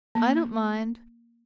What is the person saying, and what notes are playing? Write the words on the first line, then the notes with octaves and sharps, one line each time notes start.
"I don't mind."
A#3